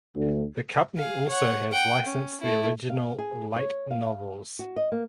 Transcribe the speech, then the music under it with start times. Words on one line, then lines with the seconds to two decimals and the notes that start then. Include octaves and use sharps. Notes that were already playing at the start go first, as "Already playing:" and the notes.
The company also has licensed the original light novels.
0.16 D2
0.98 G#4 F5
1.28 C#5 F#5
1.72 F#5 G5
2.06 C#4
2.40 A3 E4
2.90 F5
3.18 G#4
3.56 C#5
3.91 F5
4.59 F#4
4.76 D#5
4.92 A#3